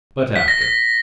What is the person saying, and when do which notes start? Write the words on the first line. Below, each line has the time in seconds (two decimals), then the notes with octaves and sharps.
But after.
0.36 B6
0.48 A#6
0.62 A#6